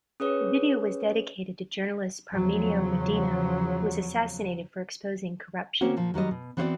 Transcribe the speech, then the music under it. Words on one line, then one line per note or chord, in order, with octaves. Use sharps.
The video was dedicated to journalist Parmenio Medina, who was assassinated for exposing corruption.
C#4 G#4 B4 C#5
E2 C#3 F3 F#3
A#3 C4 C#4 F#4
A#2 F3
D#3 F#3 G3 D#5
B2
E3 B3 C4 E4 F#4 D5